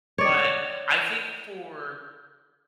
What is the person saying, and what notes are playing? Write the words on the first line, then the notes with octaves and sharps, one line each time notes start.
but I think for
C#5 D5